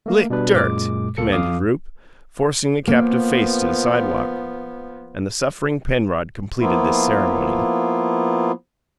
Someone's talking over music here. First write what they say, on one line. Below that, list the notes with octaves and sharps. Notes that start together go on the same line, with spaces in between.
"Lick dirt," commanded Rupe, forcing the captive's face to the sidewalk; and the suffering Penrod completed this ceremony.
A3 A#3
B2 G3 D4 B4
F#2 A#2 G#3 D6
C#2 A#3 A4 C#7
F2 F5 D6 D#6
F3 A#3 B3
F3 A#3 B3 E4 F4